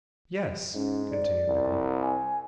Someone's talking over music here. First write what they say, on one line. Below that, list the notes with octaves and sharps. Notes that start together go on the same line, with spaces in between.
"Yes," continued Nicholl.
G#2 C#4
D5
C2
G#5